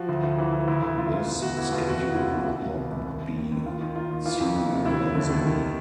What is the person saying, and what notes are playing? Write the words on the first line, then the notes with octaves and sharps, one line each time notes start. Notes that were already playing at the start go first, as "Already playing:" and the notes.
This schedule would not be serializable.
Already playing: F3 F#4
D2
D2
E3
E3
D2 E4
D2
D2 F4
D2 F4
B2
E2 F#4
E2 E4
B2 F4
D#2 F#4
E3 F#4
E4
C#3 F4
E3
C2
C2
C2
C2
D#2
D#2
D#3
D#2
D#2 F4
D#3
D#3 F4
D#3
E3 F4
F2
F2
C3
D#2 E4
D#2
D3
D#2
D#3